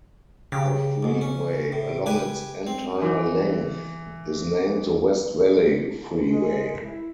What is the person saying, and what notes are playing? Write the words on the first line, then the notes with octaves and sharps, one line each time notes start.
The freeway, along its entire length, is named the West Valley Freeway.
C#3 G4
B1 G#2
C#4
A2
G4 B4 G#5
C4
E3 D#4 F#4 A#4
G#3
E4